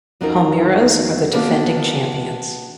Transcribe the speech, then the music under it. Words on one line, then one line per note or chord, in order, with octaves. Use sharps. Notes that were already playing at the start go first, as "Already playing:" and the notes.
Palmeiras are the defending champions.
F2 F#3 C4 D#4 F4 A#4
A#3 B3 D4 F#4 A#4 B4